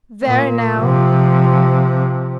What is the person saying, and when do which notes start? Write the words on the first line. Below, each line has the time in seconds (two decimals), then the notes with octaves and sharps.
There now!'
0.23 A#2
0.80 C3 F3